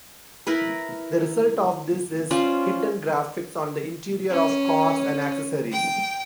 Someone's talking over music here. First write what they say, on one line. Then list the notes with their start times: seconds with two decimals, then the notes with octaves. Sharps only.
The result of this is hidden graphics on the interior of cars and accessories.
0.47 E4 A#4 B4
2.31 C#4 F4 C5 D5
4.31 C#4
5.72 G5